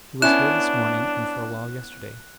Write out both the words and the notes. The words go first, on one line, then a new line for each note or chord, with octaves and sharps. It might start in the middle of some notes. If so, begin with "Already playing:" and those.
"He was here this morning and for a while yesterday."
B3 C#4 D4 E4 F#6 E7